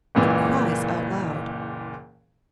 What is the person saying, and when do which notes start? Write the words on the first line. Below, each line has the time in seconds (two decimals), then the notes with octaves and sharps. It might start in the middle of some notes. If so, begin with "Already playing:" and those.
It cries out aloud.
0.15 F#1 C#2 A#2 E3